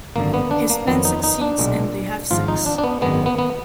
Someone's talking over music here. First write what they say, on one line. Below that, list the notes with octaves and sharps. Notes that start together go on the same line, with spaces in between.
His plan succeeds and they have sex.
G#1 F#2 D3 A#3
B3
D4
A#3
F2 D#3 F#3 B3
D#4
D#4
D4
B1 A#2 G#3
G#1 G#2 F3 F4
D#4
D4
D4
B3
G#1 F#2 D#3 G#3 B3
B3
B3